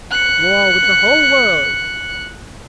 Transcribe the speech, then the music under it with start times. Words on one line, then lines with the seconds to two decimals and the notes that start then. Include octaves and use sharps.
War with the whole world!
0.11 F#6 C#7